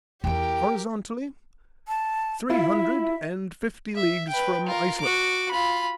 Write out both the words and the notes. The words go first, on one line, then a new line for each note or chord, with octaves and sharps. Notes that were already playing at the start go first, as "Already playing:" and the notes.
"Horizontally, three hundred and fifty leagues from Iceland."
E2 E4 G4 A#4 G5
A5
E4 F4 E5
E5
B4 G5
F4 A#4
F#4 D6
F4 B5